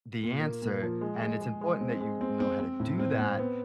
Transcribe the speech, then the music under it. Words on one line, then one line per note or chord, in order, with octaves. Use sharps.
the answer, and it's important that you know how to do that.
A#2
A#3
A#2
F3
G#3
G#3
G#3
G#3
C4
G#3
C4
C4
C4
A2
C4
C4
B3